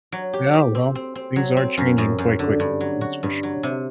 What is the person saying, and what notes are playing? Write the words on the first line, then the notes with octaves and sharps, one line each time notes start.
Yeah, well, things are changing quite quickly, that's for sure.
F#3
G4
G4
C4
C4
C4
F#3
C4
F#2
F#2
F#2
D3
G2
F#3
F#4
G2
F#3
C3